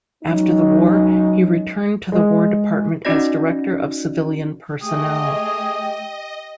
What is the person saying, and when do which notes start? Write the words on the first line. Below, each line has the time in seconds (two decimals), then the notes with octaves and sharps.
After the war, he returned to the War Department as director of civilian personnel.
0.24 F#3 G#3 C#4 D#4
2.12 G#3
3.05 C#4 D#4 F#4 D5 D#5 A#6
4.82 A3 G4 G#4 D#5